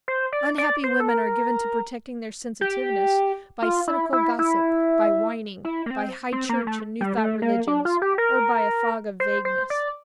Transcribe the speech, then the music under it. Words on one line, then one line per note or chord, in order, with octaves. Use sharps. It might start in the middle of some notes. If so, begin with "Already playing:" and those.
Unhappy women are given to protecting their sensitiveness by cynical gossip, by whining, by high-church and new-thought religions, or by a fog of vagueness.
C5
D5
D5
C5
A4
A#4
G4
F4
E4
E4
E4
E4
A#3
C4
C4
A#3
A3
G3
A3
A#3
D4
F4
G4
A#4
C5
C5
D5